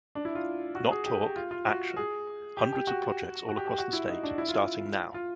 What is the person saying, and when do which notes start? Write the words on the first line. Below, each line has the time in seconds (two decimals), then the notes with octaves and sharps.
Not talk, action. Hundreds of projects all across the state, starting now.
0.15 D4
0.25 E4
0.35 F4
0.75 F#4
0.91 G#4
1.06 G4
1.21 G4
1.36 F4
1.51 F4
1.67 F#4
1.97 G#4
2.57 G4
2.73 G4
2.87 F#4
3.49 F#4
3.57 G4
3.68 G4
3.78 F#4
3.93 E4
4.09 D#4
4.23 D4
4.38 E4
4.49 F4
4.54 E4
5.14 F4